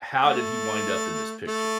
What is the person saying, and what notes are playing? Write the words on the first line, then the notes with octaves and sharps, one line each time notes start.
"How did he wind up in this picture?"
A3
A3